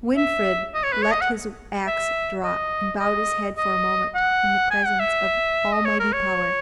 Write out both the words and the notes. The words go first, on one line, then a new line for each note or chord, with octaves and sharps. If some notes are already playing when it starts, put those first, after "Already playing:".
Winfried let his axe drop, and bowed his head for a moment in the presence of almighty power.
E5
D#5
C#5
B4
C#5
D#5
F#5
E5
D#5
D#5
D#5
F#5
G#5
F#5
E5
D#5
C#5
A#4
C#5